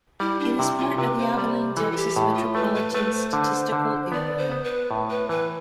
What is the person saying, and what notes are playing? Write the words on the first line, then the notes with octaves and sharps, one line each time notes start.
It is part of the Abilene, Texas, Metropolitan Statistical Area.
G3 E4
D4
C3 E4
F4
C3 B4
C5
G3 D5
E3 A4
F4
G4
A2
F4
A3 B4
B4
A3 B4
C5
D3
D3
B3 D5
C5
B3
B4
A2
B4
E3 B4